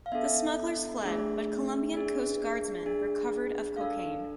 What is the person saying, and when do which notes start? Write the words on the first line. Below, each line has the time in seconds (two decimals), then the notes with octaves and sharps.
The smugglers fled, but Colombian Coast Guardsmen recovered of cocaine.
0.06 F5
0.12 B3 D4 A4 E5
1.03 A3 D4 G#4
1.94 D4 G#4
2.86 D4 G#4
3.77 D4 A4 F5